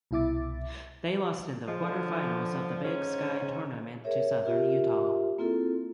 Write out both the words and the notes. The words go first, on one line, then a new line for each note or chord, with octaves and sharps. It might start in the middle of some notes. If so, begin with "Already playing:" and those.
They lost in the quarterfinals of the Big Sky Tournament to Southern Utah.
C2 B2 E4 E5 D6 A6
F3 G#3
D3
G#2 C#4
G#4 A#4 C#5 E5
F4 G4 A#4 E5
A#3 C4 E4 F4 G#4 A4